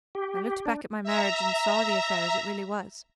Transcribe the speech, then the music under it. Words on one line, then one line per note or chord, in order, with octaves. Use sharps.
I looked back at my marriage and saw the affair as it really was.
G4
D4
E5 A#5